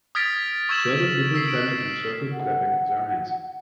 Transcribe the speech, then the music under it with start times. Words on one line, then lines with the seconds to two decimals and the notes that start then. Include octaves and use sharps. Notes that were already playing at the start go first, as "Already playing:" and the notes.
Several people standing in a circle clapping their hands.
0.15 D#6 F6 G#6 A6 B6 D7
0.69 C#6 E6 G#6 E7 F#7
1.01 E7
1.34 E6 B6 C7
1.48 D7
2.32 F#5